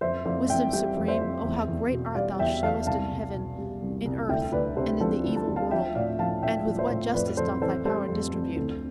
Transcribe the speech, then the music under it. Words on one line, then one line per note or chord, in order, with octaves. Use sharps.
Wisdom supreme, O how great art thou showest In heaven, in earth, and in the evil world, And with what justice doth thy power distribute!
F2 C5 E5
F2 C5 E5
E3 E5 G5
G3 E5 G5
F2
C5 E5
F2
E2
E2
B2
G3 D5 F5
E2 E5 G5
E2 F5 A5
C2 F5 A5
C2
B2
G3
C2
C2
D2 E5 G5
D2 B4 D5
C3 A4 C5
F3 A4 C5
D2
A5
D2
F5 A5
F3 E5 G5
A2 D5 F5
F3 F5 A5
A2 E5 G5
F3
C5 E5
A2
F2 B4 D5
F2 A4 C5
E3 A4 C5
G3 A4 C5
F2
F2
D2